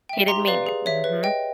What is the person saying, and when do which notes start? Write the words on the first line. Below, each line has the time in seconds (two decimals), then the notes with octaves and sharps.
He didn't mean it. Mhm.
0.09 E5 G5
0.28 G4 A#5 C6
0.47 B4 D5 F5
0.66 G#4
0.86 C#5 E5
1.04 B4
1.23 D#5 G5